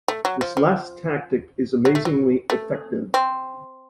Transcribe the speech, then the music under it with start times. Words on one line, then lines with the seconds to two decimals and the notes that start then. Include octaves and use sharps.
This last tactic is amazingly effective.
0.08 A3
0.25 F#3
0.41 F3
0.57 F3
1.85 F#3
1.95 A3
2.05 F#3
2.50 A3
3.14 C4